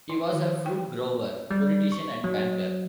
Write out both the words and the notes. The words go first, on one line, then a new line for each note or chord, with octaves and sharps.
He was a fruit-grower, politician and banker.
E4
D#3
G5
G3
C#6
F#3